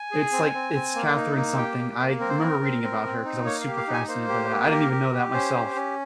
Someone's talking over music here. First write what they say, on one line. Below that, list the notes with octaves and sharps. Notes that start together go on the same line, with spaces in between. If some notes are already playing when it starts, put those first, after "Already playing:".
It's, like, it's Catherine something, I remember reading about her because I was super fascinated by that, I didn't even know that myself
Already playing: G#5
G#4
C4
C4
C4
A#3
D#4
A#3
G4 G5
A#3
A#3
C4 A#4
C5
C4 A#4
C4
C4
C4
D#4
A#3 C#5
F5
G4
F5
D#4
G#5
A#3 C5
G4
A#3
G4 A#4
G4
G4
C#4 C5
G4
C#4